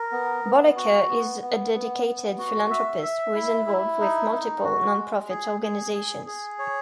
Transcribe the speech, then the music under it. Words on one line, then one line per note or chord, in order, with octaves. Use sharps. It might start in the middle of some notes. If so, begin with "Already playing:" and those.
Bollacker is a dedicated philanthropist who is involved with multiple non-profit organizations.
Already playing: A#4
B3
B3
F#4
B3
B3
B3
B3
F#4
E5
E5
E4
E4
D#4
D#4
F#4
G#3
G#4
G#4
G#4
G#4
C#5